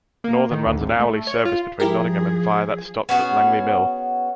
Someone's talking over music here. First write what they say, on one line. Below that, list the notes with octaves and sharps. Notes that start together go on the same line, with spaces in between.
Northern run an hourly service between Nottingham and via that stops at Langley Mill.
A#3
D#3
D2
G#1
A3
C#5
F4
F3 E4 G4 G#4 A#4
B3 C#4 F#4 G#4